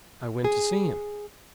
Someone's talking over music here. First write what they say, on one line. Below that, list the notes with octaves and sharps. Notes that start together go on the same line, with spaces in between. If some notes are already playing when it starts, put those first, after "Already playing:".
"I went to see him."
G#4